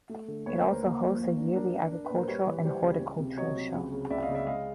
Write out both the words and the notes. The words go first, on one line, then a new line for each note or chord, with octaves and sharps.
It also hosts a yearly agricultural and horticultural show.
A3
D3
D#2 B4 C#5
A#4 C5
D#2
A#4 C5
A#3
F3
F3
D4
D4 A#4
D4
D4
B4
A#2
A#4 C5
G3 B4 C#5
E3
G3 C5 D5
C#2
C#2
C3
F#3 C#5 D#5
C3
C#2
C#3
C#2 D5 E5
D#5 F5
C#3
D5 E5
G#3 D#5 F5